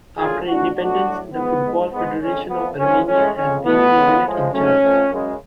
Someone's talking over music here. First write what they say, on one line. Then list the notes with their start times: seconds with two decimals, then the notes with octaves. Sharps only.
After independence, the Football Federation of Armenia has been the unit in charge.
0.18 F#2 D3 F#3 A3 F4 G#4
0.48 B2 A3 D4 F#4
0.76 B2 F#3 A3 D4 F#4
1.05 A2 F#3 A3
1.34 G#2 F3 G#3 B3
1.63 G#2 G#3
1.92 G#2 G#3 B3
2.21 F2 D3 G#3 C#4
2.50 F2 F3 A3 B3
2.78 F#2 C#3 F3 G#3 C#4
3.07 A2 G#3 C#4
3.37 F2 C#3 G#3 C#4
3.65 B2 A3 B3
3.94 F2 C#3 G#3
4.23 A2 F3 G#3
4.52 G#2 F#3 A3 C#4
4.81 F2 F3 A3
5.10 F#2 C#3 G#3